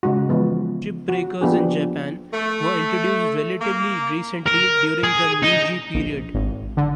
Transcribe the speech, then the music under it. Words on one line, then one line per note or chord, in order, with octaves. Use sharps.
Chip breakers in Japan were introduced relatively recently during the Meiji period.
C#3 G#3 D#4 F#4
E3 F3 G#3 B3
F#4
F3 A#3 B3 D4 G4 G#4
A3
A#3
A#4
G#4
D#4
A#1
G#1
D3